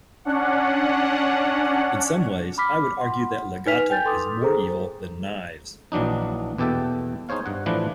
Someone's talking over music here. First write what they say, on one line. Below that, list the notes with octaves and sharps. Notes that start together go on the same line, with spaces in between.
In some ways, I would argue that Legato is more evil than Knives.
C#4 D4 F#5
B5 D6 F6 B6
F#5 C6
D#4 B4 G#5 F6 B6 F7
G5 G#5 G6 A6
A4 C6 D6 D#6
G#4 A4 C5 A#5
A#1 E3 F#3 D4 D#4
E2 B2 G4 A4 E5 G5
D#4 G#4 C5 C#5 F5
G2 F#5
A2 E3 F3 D4 B4